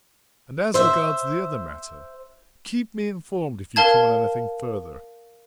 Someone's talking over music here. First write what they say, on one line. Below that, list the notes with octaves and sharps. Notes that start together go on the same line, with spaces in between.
And as regards the other matter--keep me informed if you come on anything further.
C5 E5
A#4 F5 A5 G#6